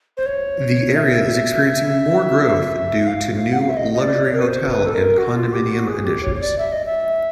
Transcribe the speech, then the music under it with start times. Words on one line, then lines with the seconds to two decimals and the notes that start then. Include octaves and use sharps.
The area is experiencing more growth due to new luxury hotel and condominium additions.
0.17 C5
0.26 C#5
0.96 E5
3.07 F5
3.52 F#5
3.61 F5
3.69 E5
3.77 D#5
3.94 D#5
4.01 D5
4.24 C#5
4.33 A#4
4.40 B4
4.47 C5
4.70 B4
4.86 A4
4.94 A#4
5.18 F#4
5.36 F4
5.53 G4
5.71 F#4
5.88 G#4
6.05 G4
6.23 C#5
6.35 C#5
6.41 D5
6.58 E5
6.72 D#5
6.86 E5